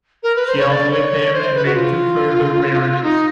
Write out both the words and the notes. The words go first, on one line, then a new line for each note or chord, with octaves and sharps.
She outlived him and made two further marriages.
A#4
B4
C5
C#5
D5
C#5
C5
B4
F#4
F4
D#4